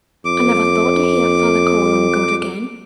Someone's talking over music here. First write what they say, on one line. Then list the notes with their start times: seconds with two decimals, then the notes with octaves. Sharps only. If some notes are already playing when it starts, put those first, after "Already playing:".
'I never thought to hear father call on God again.
0.25 F2 D6